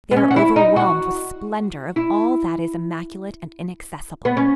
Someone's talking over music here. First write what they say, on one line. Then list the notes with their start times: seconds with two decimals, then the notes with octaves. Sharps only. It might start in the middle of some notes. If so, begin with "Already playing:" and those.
They are overwhelmed with splendor of all that is immaculate and inaccessible.
0.11 B3
0.17 C#4
0.31 F#4
0.36 E4
0.56 D#4
0.76 F#4
1.96 E4
4.25 B3
4.37 C#4